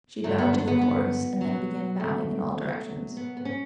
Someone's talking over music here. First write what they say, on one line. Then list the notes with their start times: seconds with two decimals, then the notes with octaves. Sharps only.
She bowed to the chorus, and then began bowing in all directions.
0.24 G2 D3 F#3 A3
0.38 B3
0.53 D4
0.68 B3
0.81 B3
1.41 B2 F#3
2.00 A3
2.58 B2 F#3
3.17 B3
3.37 B3
3.45 C#4